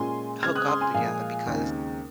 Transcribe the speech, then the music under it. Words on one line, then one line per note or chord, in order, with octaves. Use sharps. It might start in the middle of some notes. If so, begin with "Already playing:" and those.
hook up together because
Already playing: A#2 G#3 C#4 F4 G#5 C6
C#3 G#3 C4 F6 G#6
D#6 F#6
C6 D#6
G#5 C6
A#2 F3 G#3 F5 G#5
D#2 C#3 G#3 C4 D#4